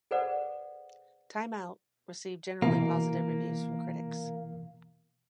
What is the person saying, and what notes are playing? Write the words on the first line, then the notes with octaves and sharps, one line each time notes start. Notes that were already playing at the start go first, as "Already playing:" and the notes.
"Time Out" received generally positive reviews from critics.
G#4 A4 B4 C5 D5 F#5
B2 E3 A#3